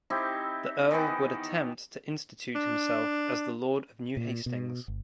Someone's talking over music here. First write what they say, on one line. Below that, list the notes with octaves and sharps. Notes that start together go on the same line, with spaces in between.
The Earl would attempt to institute himself as the Lord of New Hastings.
C4 D#4 E4 G4
D#3 E3 B3 D#4
D4
A#2
B2
G1